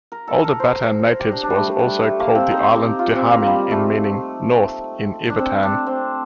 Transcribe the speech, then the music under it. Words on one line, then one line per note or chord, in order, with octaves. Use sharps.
Older Batan natives was also called the island Dihami, meaning ""north"" in Ivatan.
A#4
A4
A#4
C5
A#4
G4
D4
D4
G3
A3
G3
A3
A#3
C4
D#4
G4
F4
C4
A#3
G3
A3
D4
C4
D4
C4